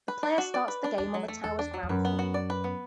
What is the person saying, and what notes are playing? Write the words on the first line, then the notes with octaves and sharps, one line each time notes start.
The player starts the game on the tower's ground floor.
B4
D4
F#4
D5
B4
D4
E2 D4
F#3
A3
E2 A4
D4
F#3
E2
F#2 B4
B3
F#4
D5
B4
B3